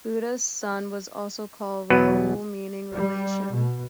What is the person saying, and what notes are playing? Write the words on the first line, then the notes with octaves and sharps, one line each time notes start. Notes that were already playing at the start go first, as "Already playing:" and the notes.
Buddha's son was also called Rahul, meaning "relation".
E2 B2 F#3 B3 B4
G3
B2